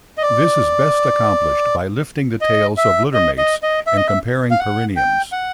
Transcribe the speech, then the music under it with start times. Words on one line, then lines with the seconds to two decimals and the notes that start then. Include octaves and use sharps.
This is best accomplished by lifting the tails of littermates and comparing perineums.
0.18 D#5
0.22 D5
2.41 D#5
2.77 E5
3.14 D#5
3.38 D#5
3.63 D#5
3.87 E5
3.97 D#5
4.08 E5
4.51 F5
4.60 F#5
4.96 G5
5.32 F#5